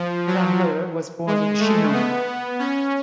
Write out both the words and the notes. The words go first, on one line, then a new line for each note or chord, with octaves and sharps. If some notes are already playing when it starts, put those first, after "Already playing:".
Rambur was born in Chinon.
Already playing: F3
F#3
G#3
A3
B3
B3
C#4